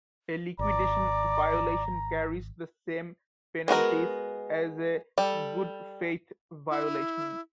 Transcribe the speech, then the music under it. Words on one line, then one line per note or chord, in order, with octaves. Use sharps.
A liquidation violation carries the same penalties as a good faith violation.
G#1 D5 A#5
G#3 B3 F#4 A#4
G3 A4
E4